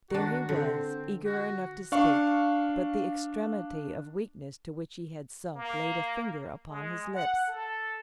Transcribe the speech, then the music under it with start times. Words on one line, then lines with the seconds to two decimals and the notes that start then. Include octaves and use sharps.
There he was, eager enough to speak, but the extremity of weakness to which he had sunk laid a finger upon his lips.
0.10 D#3 D4 F#4
0.49 D3 C4
1.25 F#4
1.92 D4 F5 C#6
5.55 A#3
6.69 G#3
7.14 F#5
7.48 A4